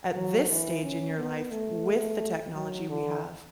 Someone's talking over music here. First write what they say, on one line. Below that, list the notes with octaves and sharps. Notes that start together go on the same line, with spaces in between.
at this stage in your life, with the technology we have,
F#3
E3
C#4
B3
A3
F#3
D3